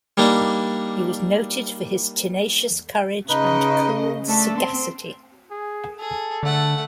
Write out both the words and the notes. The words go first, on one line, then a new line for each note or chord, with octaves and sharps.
He was noted for his tenacious courage and cool sagacity.
G3 A#3 D4 D#4
C#3 D#4 B4 D#5
A3 D4 A4
C4 C6
G#4
G#4 A4
D3 A3 F#5